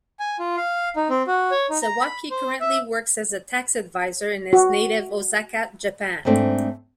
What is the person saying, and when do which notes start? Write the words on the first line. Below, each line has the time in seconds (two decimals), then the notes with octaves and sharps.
Sawaki currently works as a tax advisor in his native Osaka, Japan.
0.20 G#5
0.39 F4
0.57 F5
0.96 D#4
1.10 C4
1.27 F#4
1.51 C#5
1.70 D#4
1.82 A#5
2.01 B5
2.31 C5
2.61 E5
4.53 F#4
6.25 G#2 A3 C4 D4